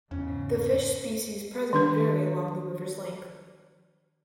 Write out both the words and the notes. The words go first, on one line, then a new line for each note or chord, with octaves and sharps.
The fish species present vary along the river's length.
E2 G#2 C#3 C#4
D#3 D4 B4